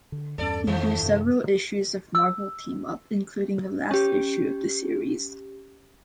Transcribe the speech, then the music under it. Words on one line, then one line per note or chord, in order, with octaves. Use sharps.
He drew several issues of "Marvel Team-Up" including the last issue of the series.
D3
E2 G2 C#4 A4 D5
F2 D#3 F3 A3
F#2 C3
E6
C#4 G4